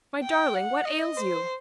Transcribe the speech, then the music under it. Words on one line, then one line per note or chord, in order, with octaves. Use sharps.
"My darling, what ails you?"
G5
F#5
D#5
C5